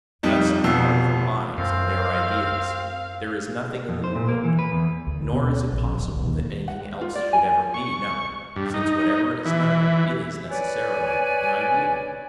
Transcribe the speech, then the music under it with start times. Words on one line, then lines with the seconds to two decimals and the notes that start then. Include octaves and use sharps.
Thus apart from minds and their ideas there is nothing in the world, nor is it possible that anything else should ever be known, since whatever is known is necessarily an idea.
0.23 F2 G3 D#4
0.64 F1 B2 F3 E6
1.58 F#2 C4 F5
3.89 F2
4.04 C5
4.16 A#2
4.29 A#3
4.45 E3
4.59 B4
4.72 E2
5.07 D2
5.33 B2
5.50 C#4
5.72 A#1
5.98 D1
6.14 B1
6.27 D#2
6.68 F#5
7.01 F4
7.15 D5
7.33 G#5
7.74 C#6
8.56 G2
8.74 D#4
9.46 E3
10.49 B4 C#5 D5 G#5